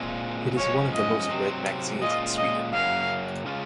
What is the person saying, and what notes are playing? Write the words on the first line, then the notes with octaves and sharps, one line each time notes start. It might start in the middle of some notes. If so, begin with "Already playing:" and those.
It is one of the most read magazines in Sweden.
Already playing: A#2 G#3 C4 F4
F#2 F3 G#3 C#4 C#5
D#5
C3 F#3 C4
A#2 G#3 C#4 F4 D#5
D#5
F#2 C#3 F#3 A#3 F5
C#3 G#3 C#4 F4